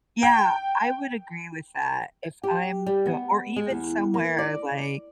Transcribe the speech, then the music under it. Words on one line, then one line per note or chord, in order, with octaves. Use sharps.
Yeah, I would agree with that. If I'm go or even somewhere like
G5
G4
G3
B3
G#3
E2
A#3
D5